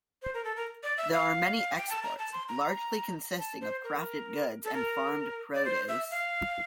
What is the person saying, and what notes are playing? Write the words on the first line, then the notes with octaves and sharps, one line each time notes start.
There are many exports, largely consisting of crafted goods and farmed produce.
C5
A#4
A4
A#4
D5
E5
F5
G5
A5
A#5
A5
C6
A#5
A5
C5
A#4
A4
A#4
D5
C5
E5
F5